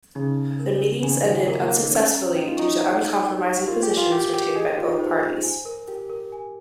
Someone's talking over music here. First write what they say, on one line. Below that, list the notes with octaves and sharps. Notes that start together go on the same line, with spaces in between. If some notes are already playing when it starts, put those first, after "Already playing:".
The meetings ended unsuccessfully due to uncompromising positions retained by both parties.
C#3 D#4
D#4
A#4
A#4
C#3 G#5
D#3
F3 G#5
G#3
A#3 A#4
A#3
A#4
D#4
C#4 C#5
A#5
D#4 G5
F4
D#4 C#6
A#5
C#5
G5
C#6
F4 A#4
G4
G#5
F4
G4 A#4
G4 A#4
G#4 D#5
G4
F4 G5
D#4
C5
C5
G#5
A#4
G4 A#4
A#4
G#5